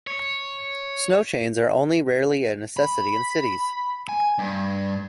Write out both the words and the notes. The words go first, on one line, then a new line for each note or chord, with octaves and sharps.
Snow chains are only rarely a necessity in cities.
C#5
B5
G#5
G2